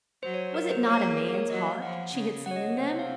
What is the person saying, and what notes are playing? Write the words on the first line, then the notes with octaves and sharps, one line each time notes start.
Was it not a man's heart she had seen in them?
F#3 C5
C#5
A#4
C5
A#3 C#5
A#4
G#4
A#4
C#5
F#3 D#5
F5
F3 F#5
C#3
F#5
C#5
D#5
C#5
C3 C5
F#5
F5